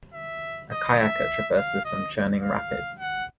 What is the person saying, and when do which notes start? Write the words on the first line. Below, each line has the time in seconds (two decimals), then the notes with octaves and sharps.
A kayaker traverses some churning rapids.
0.14 E5
0.71 D#5
0.99 E5
1.57 F5
1.85 D#5
2.42 F5
2.99 F#5